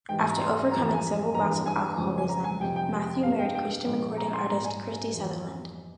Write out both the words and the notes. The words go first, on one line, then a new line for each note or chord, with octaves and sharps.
After overcoming several bouts of alcoholism, Matthew married Christian recording artist Christy Sutherland.
G#2 E3 G3 G5
G#5
A#5
C6
F2 E3 G3 A#5
A#5
G#5
G2 E3 G3 A#3 A#5
G#5
F2 C#3 F3 G#3
G#5
A#5
G#5
F2 C3 G3 G5
G5
G2 G3 A#3 F5
G5
G5
A#2 F3 G#3
A#5
C6
G#2 G3 A#3 A#5
G#5
F2 E3 G3 A#3